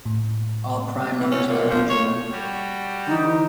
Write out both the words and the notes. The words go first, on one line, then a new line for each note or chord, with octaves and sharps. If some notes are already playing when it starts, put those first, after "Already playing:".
All prime numbers are unusual.
A2
E3
C#4
A#2
F3
C#5
G3 F#4 G4
D3 E3 D#4